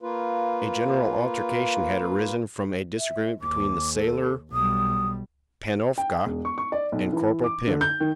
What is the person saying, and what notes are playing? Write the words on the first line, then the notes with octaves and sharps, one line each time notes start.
A general altercation had arisen from a disagreement between the sailor Panofka and Corporal Pim.
A#3 F4 B4
E5
D#2 D6
A4
B1 G3 D#6
G5
E1
C#6
C#6
D5
B1
E3
D6
D3
G6
D#3